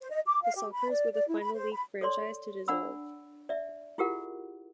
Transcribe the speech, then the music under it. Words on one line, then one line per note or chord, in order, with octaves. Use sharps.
The Sockers' were the final league franchise to dissolve.
C5
D#5
D6
F5
G4
B5
D5
D5
E4
B5
C5
B5
A4 C#5 D5 C6
D4 D5 F#5 B5 E6
D5 E5
E4 F4 G4 G#4 A#4 F#5